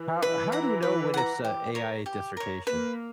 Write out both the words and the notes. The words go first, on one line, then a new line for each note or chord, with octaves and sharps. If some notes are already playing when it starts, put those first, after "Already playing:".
How how do you know when it's a AI dissertation?
Already playing: E3
B4
F#5 A#5
B4
F#5 A#5
G4
A#4 C#5
G4
A#4 C#5
A#3 B4